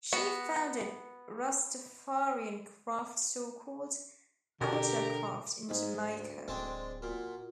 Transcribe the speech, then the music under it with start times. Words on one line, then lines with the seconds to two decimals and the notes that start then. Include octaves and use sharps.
She founded a Rastafarian craft store called "Ital Craft" in Jamaica.
0.13 B3 F#4
4.61 B2 D3 G4 A#4
5.69 G#2 D#4
6.01 D2
6.48 D1 G#3 C4 D4
7.02 A#2 F#4